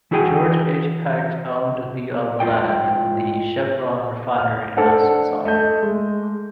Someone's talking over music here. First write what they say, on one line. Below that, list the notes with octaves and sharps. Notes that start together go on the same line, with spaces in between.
George H. Peck owned the of land the Chevron Refinery now sits on.
E3 E4 F#4 G#4 G5 G#5
G#2 F4 D#5 G5
F6
A3 D4 A4 C5 D5 F#5
A3 D#5 G6
G#3